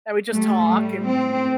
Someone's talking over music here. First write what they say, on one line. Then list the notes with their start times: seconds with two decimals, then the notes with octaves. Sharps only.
And we'd just talk and
0.30 A2 G3 A3
0.68 G3
1.06 C4